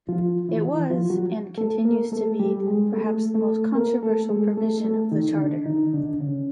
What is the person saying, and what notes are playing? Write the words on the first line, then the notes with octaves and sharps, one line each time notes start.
It was, and continues to be, perhaps the most controversial provision of the Charter.
F3 F4
E3 E4
E3 E4
F3 F4
F#3 F#4
A3 A4
A#3 A#4
A3 A4
G3 G4
G#3 G#4
A3 A4
A3 A4
A#3 A#4
A3 A4
G#3 G#4
A3 A4
A3 A4
D#3 D#4
D#4
D3 D4
D#3 D#4
D3 D4
C#3 C#4